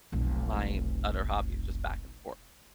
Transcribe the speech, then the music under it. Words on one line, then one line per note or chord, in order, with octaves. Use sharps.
my other hobbies, just back and forth.
F1 B1